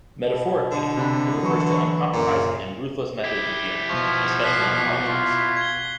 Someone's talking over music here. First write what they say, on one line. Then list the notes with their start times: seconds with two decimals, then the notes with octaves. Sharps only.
Metaphorically, it refers to uncompromising and ruthless methods or dealings, especially in politics.
0.22 B2
0.72 D3
0.97 C3 D4 B5
1.42 E3 F#3 C#6
2.13 F#2 A#2
3.24 E4 G4
3.89 B2 F3 C#6
4.43 F#6 B6 C7
5.08 F4
5.57 G#6 G7